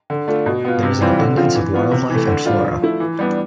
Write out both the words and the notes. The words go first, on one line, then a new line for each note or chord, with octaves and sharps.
There is an abundance of wildlife and flora.
D3
A3 D4 F4
B2
B3 F4
C3
E3 G3 C4 F4
D3
F3 C4 F4
E3
B3 F4
C3
E3 A3
D3
G3 D4 F4
F3
A3 E4
E3
G3 B3 D4